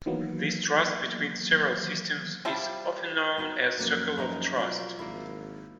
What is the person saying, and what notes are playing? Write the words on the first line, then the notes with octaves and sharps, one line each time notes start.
This trust between several systems is often known as "Circle of Trust".
D#3 E3 F#3 A#3 B3
F3 G3 E4 A5
B3 D#4 F#4
F#2 F3 A#3
C#4 D#4 A#4
B2 F#3 F4 A#4 D5
G#1 A#3 E4